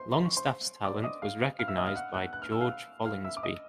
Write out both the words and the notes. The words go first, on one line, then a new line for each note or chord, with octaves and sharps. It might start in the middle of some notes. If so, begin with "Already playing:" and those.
Longstaff's talent was recognised by George Folingsby.
Already playing: B4 C5 C6
C6
C#6
C5 C6
D5 D6
D#5 D#6
F5 F6
F5 F6
E5 E6
D#5 D#6
F5 F6
F#5 F#6
F#5 F#6
F#6
F6
E6
F5 F6
F5 F6
E5 E6
D6
D#5 D#6